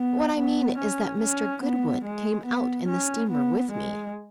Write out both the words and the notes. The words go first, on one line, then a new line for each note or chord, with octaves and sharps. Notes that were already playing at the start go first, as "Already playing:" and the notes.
"What I mean is that Mr. Goodwood came out in the steamer with me."
Already playing: B3
B3
C#4
C#4
B3
G#3
B3
C#4
B3
G#3